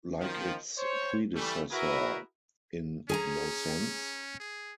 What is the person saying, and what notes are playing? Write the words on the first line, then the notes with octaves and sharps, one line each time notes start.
Like its predecessor, In No Sense?
D#3 F3
C5 C#5
E3 G3 A3
E4 F#4 G#4 A#4 B4 E5
C#4 G#4 G#5 A#5
G#4